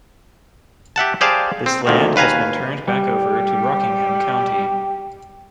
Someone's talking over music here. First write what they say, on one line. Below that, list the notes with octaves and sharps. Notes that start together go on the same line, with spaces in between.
This land has been turned back over to Rockingham County.
G4 E5 F#5 A5
G4 G#4 C5 D5 F5 A5
C4
D2 A#2 D#3
D#2 B4 F5 G#5 A#5
G3 G4